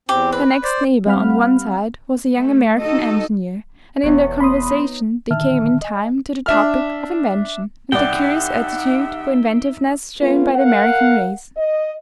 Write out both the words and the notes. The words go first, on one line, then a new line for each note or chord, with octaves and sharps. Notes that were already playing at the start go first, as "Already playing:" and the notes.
Her next neighbor on one side was a young American engineer, and in their conversation they came in time to the topic of invention and the curious aptitude for inventiveness shown by the American race.
E2 C4 G4
B4
C5 D5
G3 C4 F5 F#5 B5 F6
A3
D#4 F#4 A4 D#5
E1 E2 B3 C#5
B5 C6 D#6
D#4
A#2 D3 D#3 E5 A5 F6
D#5 G#5
D4 E5 F6
C2 D#4 D5 E5 F#5 G5
A3 B3 C#4 F4
A#4 F5 F#5
D#5